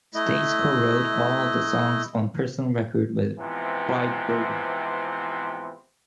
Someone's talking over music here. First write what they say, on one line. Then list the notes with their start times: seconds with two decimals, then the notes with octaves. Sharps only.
Stace co-wrote all of the songs on Personal Record with Friedberger.
0.15 A3 E4 D#5
3.39 G#2 C3 E3 F3 B3 C4